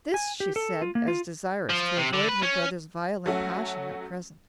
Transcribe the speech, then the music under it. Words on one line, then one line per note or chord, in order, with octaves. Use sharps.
This she said, as desirous to avoid her brother's violent passion at present.
G#5
G4
A4
F4
A#3
F4
F3
C3
D3
B4
C#4
F#3 A3 C#4 F#4